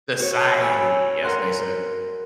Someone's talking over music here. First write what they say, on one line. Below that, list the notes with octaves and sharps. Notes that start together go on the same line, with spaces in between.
"Society", as they say.
F#4 C#5
C#5 G#5 B5 E6
A#4 F#5 C6 F#6